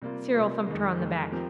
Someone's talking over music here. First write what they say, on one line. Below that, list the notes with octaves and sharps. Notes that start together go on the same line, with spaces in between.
Cyril thumped her on the back.
C3 G3 A#3 F4
C3 G3 A#3 F4
F2 D#3 G#3
F2 D#3 G#3
F3 C4 G4 A#4